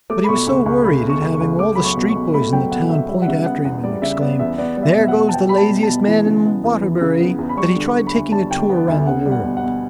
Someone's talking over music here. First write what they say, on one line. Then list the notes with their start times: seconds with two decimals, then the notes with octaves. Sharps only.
But he was so worried at having all the street boys in the town point after him and exclaim: "There goes the laziest man in Waterbury!" that he tried taking a tour round the world.
0.10 A3 D6
0.24 B5
0.29 B2 C#6
0.47 C#2 C#6
0.66 C#2 C#6
0.84 A3 B5
1.03 B2
1.09 C#6
1.22 C#2
1.34 C#6
1.40 C#2
1.59 A3 D6
1.75 F#3 B5
1.84 C#6
1.96 B2
2.09 C#6
2.15 B2
2.34 A3 B5
2.53 F#3 G5
2.72 B2 F#5
2.90 B2 E5
3.09 G3 E5
3.22 F#5
3.28 C#3 E5
3.46 B3 F#5
3.65 E2 F#5
3.84 G3 D5
4.02 C#3 E5
4.21 B3 D5
4.39 E2 E5
4.58 B3 D5
4.77 G3
4.83 E5
4.95 B2 E5
5.08 F#5
5.14 B2
5.29 A5
5.33 B3 G5
5.49 G3 B5
5.58 A5
5.70 B2
5.83 A5
5.89 B2
6.08 E3
6.26 C#3
6.45 B3
6.64 E2
6.82 E3
7.01 C#3
7.20 B3
7.39 E2
7.49 B5
7.57 G3 C#6
7.76 D3
7.95 B3
8.07 B5
8.13 D2
8.32 G3 A5
8.51 D3 G5
8.69 B3 F#5
8.88 D2 E5
9.07 B3 F#5
9.26 G3
9.32 F#5
9.44 B2
9.57 F#5
9.63 B2